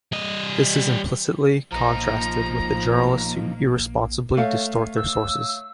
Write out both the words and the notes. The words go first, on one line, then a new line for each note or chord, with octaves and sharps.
This is implicitly contrasted with the journalists who irresponsibly distort their sources.
G3 D#5
A#1 F3 A#3 D#4 A#5
A3 C#5 F5
E6